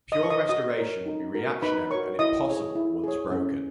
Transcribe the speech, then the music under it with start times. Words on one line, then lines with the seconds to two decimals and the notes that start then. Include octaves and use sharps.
Pure restoration would be reactionary and impossible once broken.
0.12 D#5 D#6
0.21 A#4 C#5 C#6
0.30 D#5 D#6
0.49 F#4 D#5 D#6
0.77 A#4 C#5
1.06 D#4
1.34 F#4 A#4
1.62 D#4 B4 B5
1.91 A#4 C#5 C#6
1.95 F#4
2.19 E4 D#5 D#6
2.48 G#4 C#5
2.75 E4
3.04 G#4 C#5
3.32 C#4